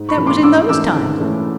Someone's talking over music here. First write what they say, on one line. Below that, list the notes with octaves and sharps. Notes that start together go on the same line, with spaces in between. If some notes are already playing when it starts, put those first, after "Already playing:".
That was in those times.
Already playing: G#2
B5 C#6
E3 A3 C#4
C6 D6
G#2 D6 E6
E3 A3 C#4 D6 E6
G#2
E3 A3 C#4